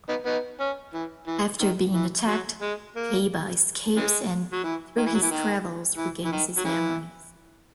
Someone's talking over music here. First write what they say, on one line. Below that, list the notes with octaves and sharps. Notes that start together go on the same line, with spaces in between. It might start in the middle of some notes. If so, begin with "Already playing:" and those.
After being attacked, Kaiba escapes and, through his travels, regains his memories.
B3 D#4
B3 D#4
C#4
E3
E3
D#3
E3
F#3
G#3
A#3
C#3 E3 G#3
F#3
E3
D#3
E3
F#3
E3
D#3
E3
E3
D#3
F#3
C#3 E3